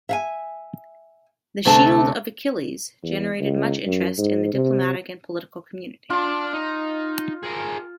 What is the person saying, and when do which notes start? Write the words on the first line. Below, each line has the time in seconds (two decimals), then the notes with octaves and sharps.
"The Shield of Achilles" generated much interest in the diplomatic and political community.
0.09 E5 F5 G#5
1.65 D2 C3 A3 D4 A5
3.03 E2
3.40 C#2
3.87 F#2
4.18 G#2
4.53 C3
6.10 D4 F4 A5
6.53 D#4
7.44 G#4 A#4